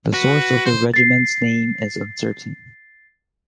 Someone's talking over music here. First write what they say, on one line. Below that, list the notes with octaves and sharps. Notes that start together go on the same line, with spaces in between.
The source of the regiment's name is uncertain.
F#4 B4
C5
A6 C7